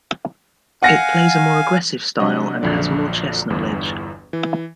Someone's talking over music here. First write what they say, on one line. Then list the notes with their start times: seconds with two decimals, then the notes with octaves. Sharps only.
It plays a more aggressive style and has more chess knowledge.
0.82 F5 F#5 G#5 A#6 C#7
2.19 C3 F#3 D4 D#5 F#5
2.61 A#1 F2 D3 F#3 D5
3.50 G1 E2 G2
4.33 E3